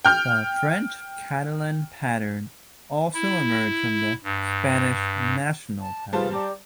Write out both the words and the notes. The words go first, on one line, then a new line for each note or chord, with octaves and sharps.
The French Catalan pattern also emerged from the Spanish National pattern.
G5 F6 G6
E4
G2
A5
G3 F4 G#4 B4 C5 A5
G4 D5 A#5